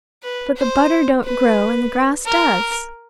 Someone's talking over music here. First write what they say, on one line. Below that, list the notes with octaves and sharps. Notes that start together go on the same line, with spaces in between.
But the butter don't grow, and the grass does.
B4
C5
B4
A#4